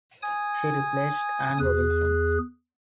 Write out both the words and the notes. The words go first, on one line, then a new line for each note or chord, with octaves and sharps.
She replaced Anne Robinson.
G#5 D#6 G#6
E2 G#4 F#6